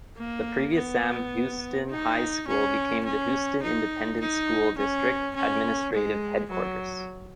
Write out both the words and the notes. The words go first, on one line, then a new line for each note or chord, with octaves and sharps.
The previous Sam Houston High School became the Houston Independent School District administrative headquarters.
A#3
B3
D#4
C#4
C#4
D#4
D#4
C#4
C#4
G#3
F#3